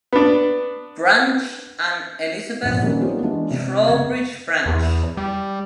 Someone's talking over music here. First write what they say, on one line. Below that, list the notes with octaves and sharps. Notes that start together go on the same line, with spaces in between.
Branch and Elizabeth Trowbridge Branch.
B3 D4
A#1 A#2
D#3 F#3 G3 A#3 C4 C#4
A#3 B3 D#4 F4 G4 C#5
E3 G#3 B3 D4 F4
C3
F#1 C#6 G#6
E2
G3